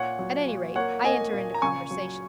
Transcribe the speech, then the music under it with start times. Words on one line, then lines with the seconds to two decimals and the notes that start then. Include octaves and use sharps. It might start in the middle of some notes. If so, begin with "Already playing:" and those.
At any rate, I enter into conversation.
Already playing: A#2 C#5 F#5
0.19 F#3
0.47 A#2
0.76 A#3 C#5 F#5
1.05 A#3 D#5 G#5
1.33 A#2
1.54 A#5
1.62 C#3 G#5 C#6
1.91 F#3